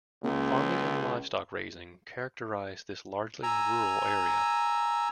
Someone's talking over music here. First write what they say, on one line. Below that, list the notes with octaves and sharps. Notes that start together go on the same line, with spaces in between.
Farming and livestock-raising characterize this largely rural area.
C#2 C#3 A#3
G#5 A#5 E6